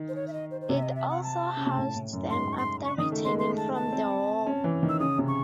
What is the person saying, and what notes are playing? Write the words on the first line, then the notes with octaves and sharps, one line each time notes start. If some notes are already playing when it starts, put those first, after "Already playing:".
It also housed them after returning from the war.
Already playing: D#3
C5
C#5
E5
D#5
C5
C5
C3 C#5
E5
D#5
E5
F#5
A5
C#3
C3
A2
A2
F#2
G#2 C6
C#6
C6
C#3 C#6
D#3 D#6
A3
G#3 C6
A3 C6
A5
A5
C4
C#4
E3
D#3
E6
C#3 D#6
C3
C#6